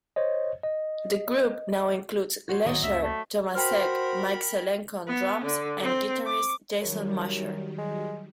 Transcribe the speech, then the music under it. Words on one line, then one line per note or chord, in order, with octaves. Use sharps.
The group now includes Lescher, Tomasek, Mike Zelenko on drums, and guitarist Jason Mosher.
C5 C#5 D#5
D#5
F#4 C5 C#5
A1 D#3 F#3 D5 D#5
C#2 A#3 C#4 E5
A3
F#4 A#4 C5 G5 B5 F6
B3
D3
C4
D6
F#2 D#3 F#3 G3
G#3